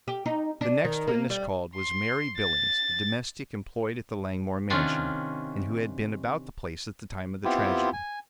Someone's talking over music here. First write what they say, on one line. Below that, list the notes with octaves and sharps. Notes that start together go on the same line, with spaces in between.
The next witness called was Mary Billings, the domestic employed at the Langmore mansion, and who had been about the place at the time of the tragedy.
G4
D#4
D4
D#3
A#3
G3
C6
A6
C3 D#3 C#4 D4 F4
B3 C4 E4 F4 G4
G#5